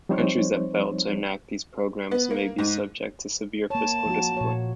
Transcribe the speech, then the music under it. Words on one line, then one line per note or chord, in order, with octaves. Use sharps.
Countries that fail to enact these programmes may be subject to severe fiscal discipline.
F3 G3 C4 D#4 C5 C#5
B3
A#3
G#2
A#3 C#5 A5
F3 F#4
A#2 C#5